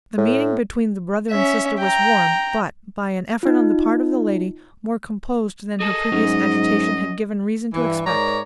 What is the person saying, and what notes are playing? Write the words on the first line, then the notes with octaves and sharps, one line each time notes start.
The meeting between the brother and sister was warm, but, by an effort on the part of the lady, more composed than her previous agitation had given reason to expect.
A2
C#4 E5
G5 A#5
D#4 F4
G#4 A4 D#5 A5
G#2 F#3 C#4
G2 E3
G#2 A#4 C#5 D5 A#5